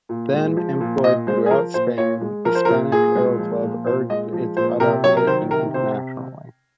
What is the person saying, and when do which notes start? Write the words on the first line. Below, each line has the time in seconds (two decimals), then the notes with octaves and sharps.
Then employed throughout Spain, the Spanish Aero Club urged its adoption internationally.
0.09 A#2
0.33 G#3
0.57 F3
0.80 A#2
1.04 A#2 D#5
1.27 G#3 C5
1.46 G#4
1.51 F3 A#4
1.74 A#2 C5
1.98 A#2 C#5
2.21 G#3
2.45 F3 A#4
2.55 C5
2.65 A#4
2.68 A#2
2.92 A#2 G#4
3.15 G#3
3.39 F3
3.62 A#2
3.86 A#2 C5
4.09 G#3 D#5
4.33 F3
4.57 A#2 C5
4.80 C3 A#4
5.04 F#3 C#5
5.17 A#4
5.27 D#3 C5
5.51 C3 A#4
5.74 C3 C5